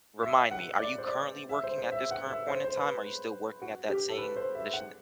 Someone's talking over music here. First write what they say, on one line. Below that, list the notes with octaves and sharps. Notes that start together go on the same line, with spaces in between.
remind me, are you currently working at this current point in time? Are you still working at that same position tha
E5
F#5
D5
C5
D5
E5
C5
C5
E5
F#5
E5
C5
C5
B4
F#4
G4
A4
B4
C5
E5
F#5